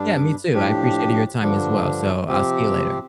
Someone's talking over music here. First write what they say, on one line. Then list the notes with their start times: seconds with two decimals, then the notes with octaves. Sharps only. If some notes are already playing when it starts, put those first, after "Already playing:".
Yeah, me too, I appreciated your time as well, so I'll see you later.
Already playing: G2 G3 D4
0.53 A2 F3 D4 G4
1.41 G2 D3 F3 D4
2.28 C3 F3 C4 G4